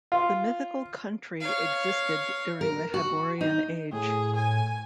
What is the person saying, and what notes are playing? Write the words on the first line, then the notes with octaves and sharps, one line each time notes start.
The mythical country existed during the Hyborian Age.
F4
C#5 F5
A#4
F#4
D#4
A2 G#4
G#5